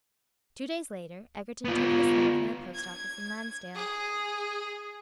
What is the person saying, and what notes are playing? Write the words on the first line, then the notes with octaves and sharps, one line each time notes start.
Two days later, Egerton took this letter from the post-office in Lansdale.
B3 F4
G#6
G#4